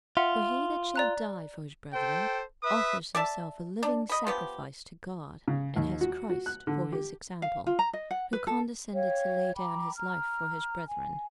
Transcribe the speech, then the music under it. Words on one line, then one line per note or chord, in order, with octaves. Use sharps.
For he that shall die for his brethren, offers himself a living sacrifice to God, and has Christ for his example, who condescended to lay down his life for his brethren.
F4 E5 F#5
D5 A#5 F#6
A4 C5 G5
B4 E5 D#6
D5 E5 A5
D4
D#5 B5
F3 B3 G4
C#3
D#2
F#4
F#4
F#6
D3
G4
F5
F4
A#5
D#5
F#5
B4
A4
C#5 F5 G5
G5 A#5 B5 D6
A#5 F6
G#5